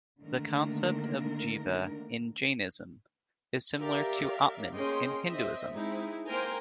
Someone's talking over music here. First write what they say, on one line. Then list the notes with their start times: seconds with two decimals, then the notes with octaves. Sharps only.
The concept of "jiva" in Jainism is similar to "atman" in Hinduism.
0.20 D3 D#3 A3 A#3 D4 A#4
3.81 G4 A#4 D5 E5 F5
4.73 A#3 C#4 G#4 D#5 G5 C6
5.28 C4 D#5 E5
5.71 G#3 C4 D#4 E4
6.26 A#3 A#4 C5 G5 G#5